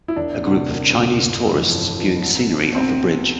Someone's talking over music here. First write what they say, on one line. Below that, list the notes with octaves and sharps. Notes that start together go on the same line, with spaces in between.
A group of Chinese tourists viewing scenery off a bridge.
E4
E1 D4
D2 C3
E1
D2 C3
G1
F2 E3
G1
F2 E3
C2
B2
C2 C4
B2